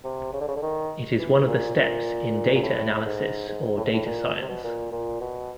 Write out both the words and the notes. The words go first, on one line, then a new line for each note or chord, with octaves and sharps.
It is one of the steps in data analysis or data science.
C3
C#3
D3
C#3
D3
D#3
E3
A#2
A#2
A#2
A2
G#2
G#2
A2
G#2
A2
A#2
B2
C3
B2
A#2
A#2
B2